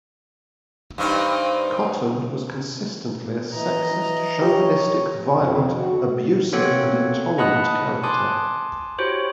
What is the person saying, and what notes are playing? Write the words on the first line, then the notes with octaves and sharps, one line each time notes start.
Cotton was consistently a sexist, chauvinistic, violent, abusive and intolerant character.
G2 C4 D#4
E3 D#5 A#5
E3
G4 C#5
F2
F#4
A#3 C4 A4 C#5 F#5
D#5 F#5 A5 B5 D#6 F#6
G#5 A5 C6 D6 D#6 F#6
E4 F#4 G4 C5 C#5